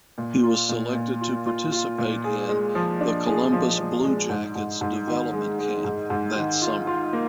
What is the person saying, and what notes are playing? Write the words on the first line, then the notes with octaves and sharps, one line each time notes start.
He was selected to participate in the Columbus Blue Jackets Development Camp that summer.
A#2
F4
A#2
A#2
F4
F4
F4
A#2
G#4
G#3
F3
D4
G#4
F3
F3
G#3
G#2
G#2
G#2
D#3
G#3
G#3
G#2
G#2
D#3
F4
F4
A#3